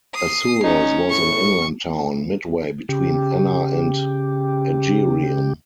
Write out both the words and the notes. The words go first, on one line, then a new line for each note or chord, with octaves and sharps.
Assorus was an inland town, midway between Enna and Agyrium.
D#6 C7
C#4 D#4
A2 C#6
C#3 G4